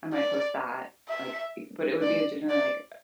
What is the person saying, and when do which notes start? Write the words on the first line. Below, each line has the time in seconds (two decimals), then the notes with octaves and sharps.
I might post that, like, I but it would be generally, like,
0.13 D5
1.08 E5
2.02 D5
2.49 D5